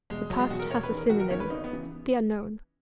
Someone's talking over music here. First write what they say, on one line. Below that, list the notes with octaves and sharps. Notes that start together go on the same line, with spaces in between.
The past has a synonym, the unknown.
E2 B2 G#3
F#1 F#3
G#3
E2 B2 F#4
A#4
E1 C#5
B4
E2 D#3
A#4
E1 F#4
A#4
E2 D#3 C#5
B4
G#1 D#4
B3
C#3 E3